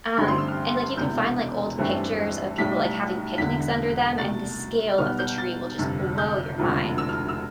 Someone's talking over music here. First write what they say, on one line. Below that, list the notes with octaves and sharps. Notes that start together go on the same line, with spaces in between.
um, and, like, you can find, like, old pictures of people, like, having picnics under them, and the scale of the tree will just blow your mind.
A1 G2 D3 A3 C4 B5
C6
E6
F6
E1 E2 C3 E3 G6
A1 G2 E3 A3 C4
B1 A2 G3 B6
E1 E2 D3 B6
C2 B2 A3 A6
B1 B2 G3 B3 F6
G6
A6
G1 F2 C3
G6
E1 D2 C3 F3
E6
F6
E6